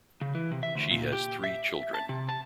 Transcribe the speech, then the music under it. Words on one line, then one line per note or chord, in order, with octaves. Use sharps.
She has three children.
C#3
E3
C3
E5
D2
A#2
G4
E5
A5
C3
A5